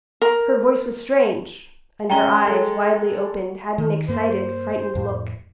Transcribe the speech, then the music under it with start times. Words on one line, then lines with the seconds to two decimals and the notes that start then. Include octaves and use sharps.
Her voice was strange, and her eyes, widely opened, had an excited, frightened look.
0.22 A#4
2.10 G#3 C#4 G5 A#5 G7
2.45 G#3 A4
3.78 D#3
4.08 G2 A#3 C5
4.95 F2 A2